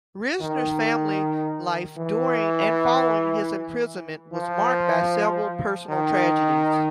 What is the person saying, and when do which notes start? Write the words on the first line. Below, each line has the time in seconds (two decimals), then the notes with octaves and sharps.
Risner's family life during and following his imprisonment was marked by several personal tragedies.
0.41 D#3
1.98 E3
4.33 F3
5.89 D#3